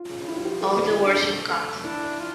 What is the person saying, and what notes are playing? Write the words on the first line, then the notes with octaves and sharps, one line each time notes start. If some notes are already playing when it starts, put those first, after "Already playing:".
All the words you've got.
Already playing: F4
C#3
C#3
E4
G3 F4
F3 G4
A4
G4
G3 A4
F4
D4
A3 D4
A3
D4 E4
F4